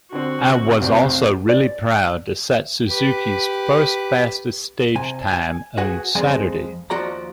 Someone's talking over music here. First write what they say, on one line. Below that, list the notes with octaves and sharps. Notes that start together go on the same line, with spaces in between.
I was also really proud to set Suzuki's first fastest stage time on Saturday.
D3 C4 F#4
F1 B1 C4 D5
D5
G4 B4
C3 G#5
G#5
F#4 G#4 B4 F#5 G#5
F2 G#3 D5 G#5 C6
D#2 F3 F#4 D5 A#5